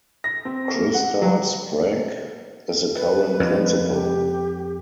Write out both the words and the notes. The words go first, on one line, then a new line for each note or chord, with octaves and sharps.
Krista Sprague is the current principal.
A#6
C4
A#3
F#5
F#3
B4
F2
G4